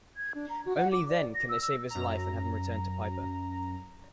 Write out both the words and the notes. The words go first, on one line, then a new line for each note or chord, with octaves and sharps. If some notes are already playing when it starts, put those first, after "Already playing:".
Only then can they save his life and have him returned to Piper.
G#6
D4
A#5
F#4
F#5
D6
D5
A#6
E6
E6
F#2 A#5